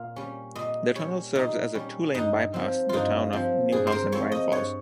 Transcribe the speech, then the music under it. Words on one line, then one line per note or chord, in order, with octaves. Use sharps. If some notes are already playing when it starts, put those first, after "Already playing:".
The tunnel serves as a two-lane bypass the town of Neuhausen Rhine Falls.
Already playing: A#2 F5
G3 C#4
A#2 D#5
G3 C#4 C#5
A#2 D#4
G3 C#4
G2 D#4
F3 C4
G2 D#4 F4
F3 C4
G2 G#4
C5
A#4
F3 C4 C#5
D#5
G2 C#5